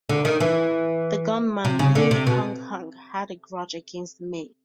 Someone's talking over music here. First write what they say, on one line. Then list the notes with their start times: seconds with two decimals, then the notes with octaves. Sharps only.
The gunman, Li Hung Hung, had a grudge against May.
0.09 D3
0.25 D#3
0.40 E3
1.65 C3
1.79 C#3
1.95 D3
2.11 C3
2.27 B2